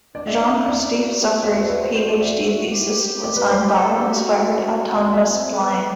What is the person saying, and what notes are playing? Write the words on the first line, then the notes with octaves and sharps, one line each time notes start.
Jean-Christophe Zufferey PhD thesis was on bio-inspired autonomous flying.
D4 D5
E5
D4 E5
D5
E4 D5
F#4
G4
F#4 E5
D5
C5
F#4 B4
C5
C5
D5
E5
G4
D5
B4
C5
D5
A4
G4
F#4
D5
E5
C4
B3